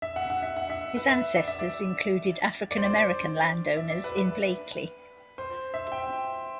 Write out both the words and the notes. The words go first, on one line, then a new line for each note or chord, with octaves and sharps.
His ancestors included African-American landowners in Blakely.
E5
F#5
F#5
E5
F#5
E5
B4
E5
D5
E5
D5
D5
C5
D5
E5
D5
B4
B4
C5
E5
G5